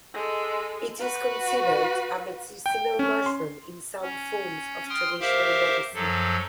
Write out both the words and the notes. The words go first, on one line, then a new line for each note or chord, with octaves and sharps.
It is considered a medicinal mushroom in some forms of traditional medicine.
G#3 A4
F#4 B4
G5
C#4
C6
C#4
G5 C6 D#6 F6
G4 A#4 C5 E5 F5
F#2 F3 F#3 A4